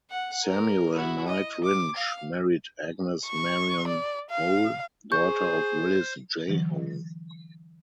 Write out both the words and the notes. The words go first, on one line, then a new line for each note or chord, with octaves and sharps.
Samuel Knight Rindge married Agnes Marion Hole, daughter of Willits J. Hole.
F#5
A#4
E4 F#4
D#5
D6
F5
C#6
D5
F5
G#4 C5 C#6 G6
D3 E3 F#3